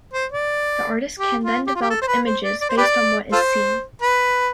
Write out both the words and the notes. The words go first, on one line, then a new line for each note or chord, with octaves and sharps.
The artist can then develop images based on what is seen.
C5
D5
G4
F4
G4
F4
G4
A4
C5
B4
C5
D5
D5
C5
G4 B4 D5
F4 A4 C5
B4